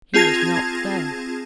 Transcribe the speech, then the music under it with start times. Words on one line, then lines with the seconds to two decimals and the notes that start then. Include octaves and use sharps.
He was not there.
0.14 C4 F4 G#4 A5 G#6 A#6